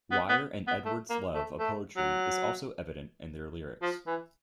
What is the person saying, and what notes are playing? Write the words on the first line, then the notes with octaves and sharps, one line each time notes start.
Wire and Edwards' love of poetry is also evident in their lyrics.
B3
B3
B3
A3
A#3
A3
A3
F#3
F3
E3